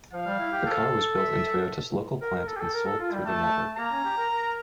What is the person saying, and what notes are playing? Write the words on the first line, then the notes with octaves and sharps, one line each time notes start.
The car was built in Toyota's local plant and sold through their network.
F3 F5
G3
E4
G4
A4
E5
A#4
A#4
A4
G4
A4
A#4
A4
F4
G3
A3 A5
A#3 A#5
C#4
G4
A#4
A#4